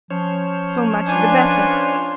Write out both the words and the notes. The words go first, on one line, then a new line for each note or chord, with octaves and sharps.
'So much the better.'
F3 C#4 C5 C#5
D4 F4 B4 D5 G#5